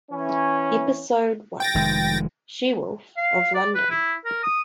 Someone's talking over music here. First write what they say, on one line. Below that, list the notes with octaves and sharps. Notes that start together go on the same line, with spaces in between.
Episode One: She Wolf of London.
E3 C#4
G5 A6 A#6
F1 D#3 G#3
F5
D5
B4
E4
A#4
D#6